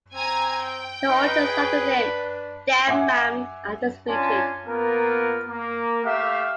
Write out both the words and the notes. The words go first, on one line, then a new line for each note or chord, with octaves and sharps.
The origins of the name "Dammam" are disputed.
C4 G#5 A#5 G#6
G5
D#4 B4
G#4
D4
E5 F#5 G#5 D6
C#4 D4 F4 G#5 A5 C6
A#3 B3 F4 A#4
A#3
A3 G4 E5 F5